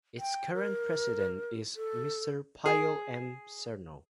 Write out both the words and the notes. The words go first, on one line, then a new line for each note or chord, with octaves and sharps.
Its current president is Mr. Pio M. Cernal.
G5
A#4
A4
G#4